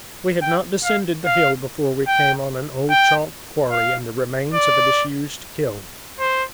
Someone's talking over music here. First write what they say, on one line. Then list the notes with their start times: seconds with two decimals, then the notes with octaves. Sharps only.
We had not descended the hill before we came on an old chalk quarry and the remains of a disused kiln.
0.42 G5
0.84 F5
1.25 F5
2.07 G5
2.90 G5
3.71 F5
4.54 D5
6.19 C5